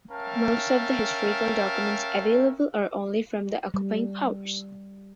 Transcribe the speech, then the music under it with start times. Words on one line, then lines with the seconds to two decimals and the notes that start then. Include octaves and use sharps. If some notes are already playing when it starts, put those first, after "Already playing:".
Most of the historical documents available are only from the occupying powers.
0.11 C#4 A#4 E5 F5 G5 A5
3.74 G3